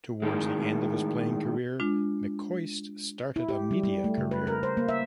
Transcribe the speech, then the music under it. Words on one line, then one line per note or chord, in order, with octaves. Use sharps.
Towards the end of his playing career, McCoist started a media career.
A2 D#3 G#3
G#3 D4 F4
E4
G4
G3
G3
A3
C#3
B4
A#4
C5
A#3
E5